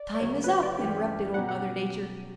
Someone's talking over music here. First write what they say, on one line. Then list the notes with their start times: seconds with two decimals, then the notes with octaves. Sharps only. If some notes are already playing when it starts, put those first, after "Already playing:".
"Time is up," interrupted Old Mother Nature.
Already playing: D5
0.15 D5
0.20 D2 C#3 F#3 C#5
0.44 B4
0.48 C#5
0.63 D5
0.77 G2 E3 G3 C#4 G4
1.34 B2 F#3 C#4 G4 F#5
1.49 F#5